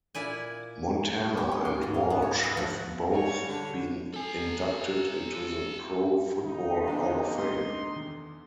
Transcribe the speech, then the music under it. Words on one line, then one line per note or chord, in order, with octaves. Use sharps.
Montana and Walsh have both been inducted into the Pro Football Hall of Fame.
A#2 E4 D5 G#5
G4
C#4
C6
G#2
F5
B3
C#5
B5
F3
F#5
G3 C#5
D3
A4 G#5
D#2 D#4
E2 D3 D#3 F5
A3 C4 C6
D#3